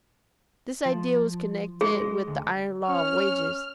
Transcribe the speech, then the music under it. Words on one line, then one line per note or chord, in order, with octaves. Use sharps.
This idea was connected with the iron law of wages.
F3
G#3 G#4
D2
C#4 F6